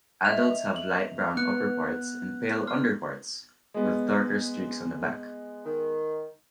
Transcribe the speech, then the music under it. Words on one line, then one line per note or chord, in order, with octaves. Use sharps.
Adults have light brown upperparts and pale underparts, with darker streaks on the back.
D#5 E5 F7
F#7
B3 F#6 C#7
C6 F6
G#3 B3
D#3